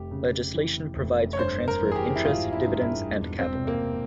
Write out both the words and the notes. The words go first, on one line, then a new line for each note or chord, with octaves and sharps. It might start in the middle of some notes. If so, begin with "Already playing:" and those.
Legislation provides for transfer of interest, dividends, and capital.
Already playing: F1 G4
C#3
E3
F1
C#5
G2 C5
A#4
E3
G#4
G4
E4
G#1 F4
E4
G2
E4
E1
C4
C3
A#3